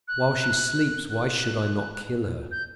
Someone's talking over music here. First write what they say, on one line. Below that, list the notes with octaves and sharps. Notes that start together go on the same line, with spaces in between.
While she sleeps why should I not kill her?
F#6
F#6
G6